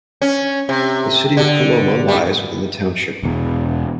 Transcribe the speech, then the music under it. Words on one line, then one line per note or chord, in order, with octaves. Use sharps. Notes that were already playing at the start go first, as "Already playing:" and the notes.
The city of Coloma lies within the township.
C#4
C3
D3
G3
E1 E2